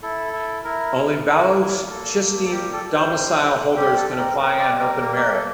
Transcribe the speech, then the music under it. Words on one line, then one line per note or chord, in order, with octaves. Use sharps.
Only Balochistan Domicile holders can apply on open merit.
E4 A4
E4
E4 A#4
E4
E4 A#4
A#3
A#3 A4
A#3
A4
G3 G4
A4
G3
C5
C4
C4
G3 G4
A4
C4
A#4
C4 A#4
D5
G3
A#4
A#3 A#4
A#4
G4
A#3 A4